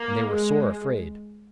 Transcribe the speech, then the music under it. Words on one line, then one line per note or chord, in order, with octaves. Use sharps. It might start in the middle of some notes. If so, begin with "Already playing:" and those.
And they were sore afraid.
Already playing: A#3
G#3